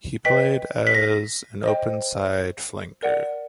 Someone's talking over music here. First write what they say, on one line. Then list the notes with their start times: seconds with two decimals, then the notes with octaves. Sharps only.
He played as an openside flanker.
0.25 B4 D#5 G5 B6
0.87 B6
0.95 A#6
1.64 C5 D#5 G5
3.02 A#4 D5 F#5